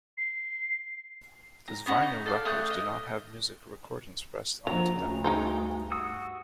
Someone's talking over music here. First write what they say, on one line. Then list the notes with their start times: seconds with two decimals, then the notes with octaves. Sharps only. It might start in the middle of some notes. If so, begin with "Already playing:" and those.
These vinyl records do not have music recordings pressed on to them.
0.18 C7
1.68 A#5
1.86 B3 C#4 F#4 F#5
2.02 D#4
2.26 A4 D5 F5
2.45 A3 D#6 F#6 G6
2.70 D#5
4.67 F3 F#3 A#3 D4 A#5
4.95 D2 C#3
5.24 G2 G3 G#3 D#4 C5
5.92 F#4 D#6 E6